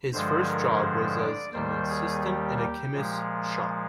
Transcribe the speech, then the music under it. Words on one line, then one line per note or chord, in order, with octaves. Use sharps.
His first job was as an assistant in a chemist's shop.
G2 D3 F3 G#3 C5
A#4
C5
D5
D#2 D#3 G3 C5
G#4
G4
G4
A#2 F3 G#3